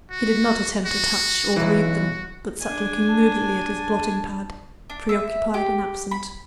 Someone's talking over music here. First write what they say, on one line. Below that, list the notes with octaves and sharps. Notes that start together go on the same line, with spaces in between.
He did not attempt to touch or read them, but sat looking moodily at his blotting-pad, preoccupied and absent.
F#4
F#4
B1 E3 F#4
D4 G#5
A5
D4
E5
G4
B5